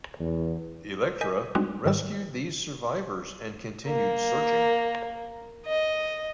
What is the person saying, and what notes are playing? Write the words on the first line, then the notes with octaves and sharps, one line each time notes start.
"Electra" rescued these survivors, and continued searching.
E2
A#4 D#5 G#5 G6 B6
G3 G#3 C4 D4 D#4 F#4
G#2 D#3 G3 E6
A#3
D#5